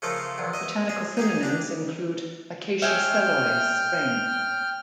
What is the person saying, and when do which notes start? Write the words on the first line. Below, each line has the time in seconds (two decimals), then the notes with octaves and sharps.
Botanical synonyms include "Acacia selloi" Spreng.
0.02 C#3 F3 A3 A4 A#4
0.38 A#1 E2
0.53 D#5 E5
0.89 G#4
1.17 D#4 G4 G#4
1.43 D4 G4
2.82 G#3 C#5 E5 G5 F6